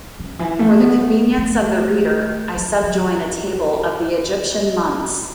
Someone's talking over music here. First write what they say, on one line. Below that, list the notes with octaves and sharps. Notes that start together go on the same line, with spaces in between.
For the convenience of the reader, I subjoin a table of the Egyptian months.
C#3
E3
A3
B3
A3
A3
E3
F#3